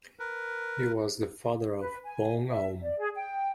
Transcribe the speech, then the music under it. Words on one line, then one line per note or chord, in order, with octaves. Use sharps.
He was the father of Boun Oum.
A#4 B4
B4
G#5
E5
D5
G#4
G5